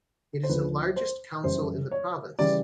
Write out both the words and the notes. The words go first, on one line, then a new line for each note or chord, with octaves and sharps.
It is the largest council in the province.
C5
D2 D3 F3 B4
C5
F#2 C#3 E3 G3 C5
C#5
C#3 E3 G3 D5